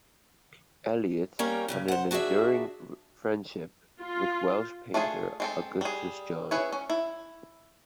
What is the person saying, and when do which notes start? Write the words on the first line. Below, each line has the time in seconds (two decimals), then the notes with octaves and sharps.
Eliot, and an enduring friendship with Welsh painter Augustus John.
1.39 G3 A#3 C#4 A#4 C#5
1.68 G2 A#2 C#3
1.88 C5 F#5
2.11 D4 F#4 G#4 D5 E5
4.01 F4
4.94 A3 D4 F4 G#4
5.40 G#3 C4 A4
5.81 G3 G#4
6.51 C#4 E4 G#4 B4 C#5
6.73 C#4
6.90 E4